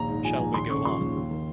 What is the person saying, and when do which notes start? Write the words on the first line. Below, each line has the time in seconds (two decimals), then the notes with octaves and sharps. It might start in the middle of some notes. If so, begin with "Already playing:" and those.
Shall we go on?
Already playing: A#1 D#2 A#5
0.09 G#2
0.24 F3 G#5
0.39 A#1
0.54 D#2 C6
0.70 C#3 C#6
0.85 F3 C6
1.01 D#2
1.15 D#2
1.31 D#3